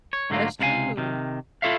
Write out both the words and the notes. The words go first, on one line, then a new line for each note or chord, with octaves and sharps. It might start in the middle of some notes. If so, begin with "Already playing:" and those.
That's true.
C#5
G#2 D3 F#3 A3 A#3 F4
C#2 C3 E4 F5 G#5
C3 D#3
E4 F4 A4 C#5 E5 F5